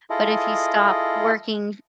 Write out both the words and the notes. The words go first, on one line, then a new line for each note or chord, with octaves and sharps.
But if you stop working,
E4 F4 G#4 A4 D#5